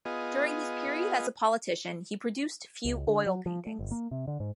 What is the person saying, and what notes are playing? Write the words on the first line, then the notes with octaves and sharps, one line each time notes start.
During his period as a politician, he produced few oil paintings.
B3 F4 G#4 D#5
C#2
D3
F#3
F3
A3
G1
A#3
C3
D3
G#2